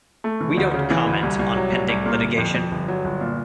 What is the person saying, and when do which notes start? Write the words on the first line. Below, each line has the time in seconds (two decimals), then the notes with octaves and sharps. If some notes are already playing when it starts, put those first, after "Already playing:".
We don’t comment on pending litigation.
0.24 A3
0.41 E3
0.58 D2
0.74 C#3
0.90 E3
1.07 D2
1.23 C2
1.39 C2
1.56 F#3
1.72 C2
1.89 C2
2.05 A#2
2.22 G1
2.38 F2
2.55 F2
2.72 G1
2.88 F#3
3.05 G1
3.21 A#2